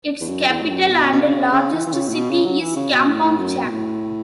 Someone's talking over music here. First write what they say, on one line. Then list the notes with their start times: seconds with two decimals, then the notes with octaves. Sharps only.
Its capital and largest city is Kampong Cham.
0.21 E2
0.28 F#2
0.49 E2
0.61 A2
0.69 F#2
0.90 B2
1.13 B2
1.21 C#3
1.52 C#3
1.73 E3
1.86 E3
1.93 C#3
2.08 A2
2.14 B2
2.30 C#3
2.45 F#3
2.60 E3
2.76 C#3
2.92 B2
3.07 A2
3.23 A2
3.38 F#2
3.64 B2
3.69 A2